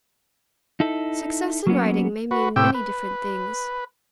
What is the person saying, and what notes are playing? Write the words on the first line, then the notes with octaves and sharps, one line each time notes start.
Success in writing may mean many different things.
D#4 E4 A4
F#3 A#3 B3 C#4
F#4 B4
A2 C3 G4 G5 E6
B4